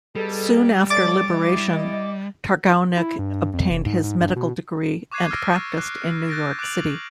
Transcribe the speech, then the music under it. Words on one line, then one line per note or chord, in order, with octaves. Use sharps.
Soon after liberation, Targownik obtained his medical degree and practiced in New York City.
B2 G3 G#4 A4
A3 C#5 D5 D6 A6
E4 D#5
E4
G2
G2
F2
F1
G#2
G#2
G2
B2
C#6 D6 F#6 G#6 C7 D#7
E6 F6 A6 A#6 D7
C#6 D6 F#6 C7
F#6 G6 A6 A#6 D7
D6 F#6 A6 D7 F7 F#7